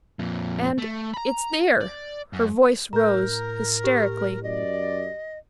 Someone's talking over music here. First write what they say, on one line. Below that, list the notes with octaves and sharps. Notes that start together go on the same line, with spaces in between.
"And it's there," her voice rose, hysterically.
F2 A#2
A3
A#5 B5
D5
F#2
A2 A#4 A#5 G6
G4
F#2 D5 D#5